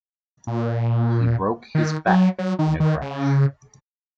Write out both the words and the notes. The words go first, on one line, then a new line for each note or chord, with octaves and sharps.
He broke his back in a crash.
A#2
D#3
F#3
F#3
D#3
D#3
C#3